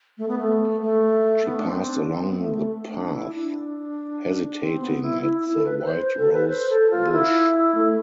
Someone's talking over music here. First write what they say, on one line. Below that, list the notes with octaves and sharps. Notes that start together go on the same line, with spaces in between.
She passed along the path, hesitating at the white rose-bush.
A3
B3
A3
A3
B3
D4
C4
D4
D4
C4
B3
A3
A3
D4
E4
D4
C4
B3
E4
E4
A4
B4
B4
C5
A4
B4
C5
A4
F4
E4
A3